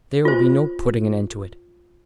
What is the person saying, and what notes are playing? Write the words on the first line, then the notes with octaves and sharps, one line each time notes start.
There will be no putting an end to it.
F4 C5